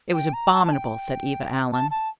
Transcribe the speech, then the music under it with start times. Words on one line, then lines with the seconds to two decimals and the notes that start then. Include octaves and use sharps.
"It was abominable," said Eva Allen.
0.14 G5
0.33 A#5
0.53 A5
0.65 A5
0.73 G5
1.71 A5
1.91 A5